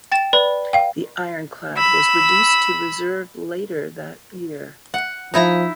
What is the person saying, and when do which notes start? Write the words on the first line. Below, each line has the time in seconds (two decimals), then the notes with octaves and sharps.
The ironclad was reduced to reserve later that year.
0.12 G5 A6 E7
0.33 B4 D5 B5
0.73 F5 G5
1.77 B5 E6
4.94 F#5
5.34 F3 D#4 E4 A#5